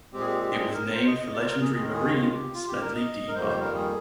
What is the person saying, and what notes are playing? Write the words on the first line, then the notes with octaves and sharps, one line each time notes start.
It was named for legendary Marine Smedley D. Butler.
A#2 G#3 C4 G4
G#4
G4
G4
G#4
A#4
C5
D#5
D#5
D5
C5
A#4
G#4
D#2 D#3 G#3 G#4
A#4
G#4
F4
G4
F4
G4
A#4
D#5
A#4
F2 D#3 G3 A#3 C5
C5
A#4
G#4